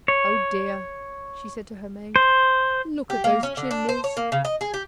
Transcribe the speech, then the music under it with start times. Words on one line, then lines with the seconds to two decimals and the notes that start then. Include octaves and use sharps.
'Oh dear!' she said to her maid; 'look at those chimneys!
0.08 C#5
2.16 C5
3.10 G4
3.24 A#3
3.43 C#4
3.57 D3
3.71 D4
3.89 C5
4.04 C#5
4.17 A#3
4.32 C#3
4.45 D#5
4.61 G#4
4.74 G4